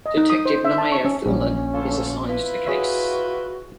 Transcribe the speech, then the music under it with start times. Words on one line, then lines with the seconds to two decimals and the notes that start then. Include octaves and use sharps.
Detective Naia Thulin is assigned to the case.
0.06 D#5
0.17 D#4
0.30 D#6
0.46 C5
0.65 E5
0.78 A5
0.92 C#6
1.05 C#4
1.26 A#1 C#4
1.74 D2 F4 A4
2.29 E4 F4 B4
2.66 F#4 G#4 C#5 E5